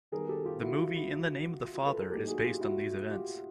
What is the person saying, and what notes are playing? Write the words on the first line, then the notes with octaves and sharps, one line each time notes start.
The movie "In the Name of the Father" is based on these events.
D#3 G3 B3 G#4 A#4
G4 A4
F4 G4
E4 F#4
F4
E4 F#4
F4
F4
A4 B4
G#4 A#4
A2 F#3 A#3 D#4 G4 A4
F#4 G#4
F4 G4
E4 F#4
F4 G4